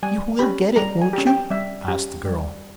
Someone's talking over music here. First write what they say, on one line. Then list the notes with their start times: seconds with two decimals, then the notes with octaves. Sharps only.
"You will get it, won't you?" asked the girl.
0.03 G3 G#5
0.39 C#4 G4 B5
0.76 G3 A#5
1.02 G#5
1.13 C#4 G4
1.27 G5
1.50 G3 E5
1.88 C#4 G4
2.26 G3